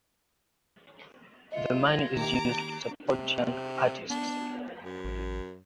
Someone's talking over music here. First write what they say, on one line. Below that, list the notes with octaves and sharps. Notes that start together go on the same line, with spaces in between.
The money is used to support young artists.
F4 D#5 E5 C#7
G#6 A#6
D#3 A#3 G4 A#5 D6
C3
B3 D4
F#2
A1